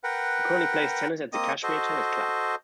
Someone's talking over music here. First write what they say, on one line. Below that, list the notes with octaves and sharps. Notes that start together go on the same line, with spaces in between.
He currently plays tennis at the Cashmere Tennis Club.
A#4 B4 F#5 G5
A#3 C4 D#5 D#6
F#4 A4 C5 D#5